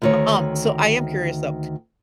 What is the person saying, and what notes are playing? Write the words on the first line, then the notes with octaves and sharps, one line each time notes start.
Um, so I am curious though,
D2 D#3 C#5